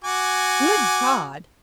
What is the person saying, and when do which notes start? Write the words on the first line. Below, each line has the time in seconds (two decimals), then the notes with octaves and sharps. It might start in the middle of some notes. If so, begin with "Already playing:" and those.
"Good God!"
0.04 F#4 G#5 D6